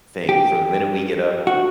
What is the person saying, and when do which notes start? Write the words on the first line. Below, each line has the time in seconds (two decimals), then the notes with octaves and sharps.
thing., from the minute we get up
0.29 G4
1.47 F#4